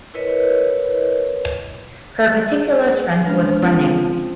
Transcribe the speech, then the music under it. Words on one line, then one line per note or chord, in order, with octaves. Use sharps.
Her particular strength was running.
E4 A#4 B4 C#5 D#5
G#4
G#3 C#4 D4 B4 F6
F3 C4